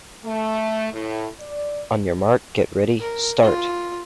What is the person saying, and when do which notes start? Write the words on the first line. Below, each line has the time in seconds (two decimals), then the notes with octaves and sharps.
On your mark, get ready, start.
0.25 A3
0.93 A2
1.39 D5
3.00 A#4
3.42 F4